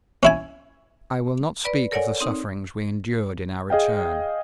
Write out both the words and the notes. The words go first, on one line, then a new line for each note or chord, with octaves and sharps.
I will not speak of the sufferings we endured in our return.
C#4 E4 G#5
B4 D5 B5
A4 A#4 C#5 D5 F#5 G#5
C4 D#4
G#4 D#5 F5 G5